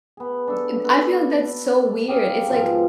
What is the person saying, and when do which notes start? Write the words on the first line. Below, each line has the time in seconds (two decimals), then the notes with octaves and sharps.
And I feel like that's so weird. It's like
0.17 B3 G#4
0.47 D4 A4
0.84 F#4 A4 B4
2.08 G4 G#4 F5 G5
2.47 G#2 B2 F3